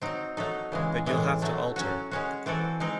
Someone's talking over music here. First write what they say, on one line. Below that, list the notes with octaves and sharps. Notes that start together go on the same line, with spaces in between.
But you’ll have to alter.
F#3 C4 D#4
F#3 A3 D#4
C#3 E3 G#3
A2 E3 G#3
A2 F#3 A3
F#3 C#4 F#4
G#3 C#4 F#4
E3 C4 F#4 A4
G#3 C4 D#4